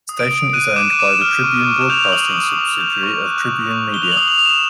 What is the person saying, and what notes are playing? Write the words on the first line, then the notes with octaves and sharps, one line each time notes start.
The station is owned by the Tribune Broadcasting subsidiary of Tribune Media.
D#6
D7
D#6
F#6 D#7
D#7
D6 E7
D#7
D6 E7
F6
C#6
C#6
E7
G6 F7
D#6 F#7
D#6
C#6
G6
C#6
F#6
C#6
C#6
F#6 G7
F7
F#7
D#6
F7
D#6
E7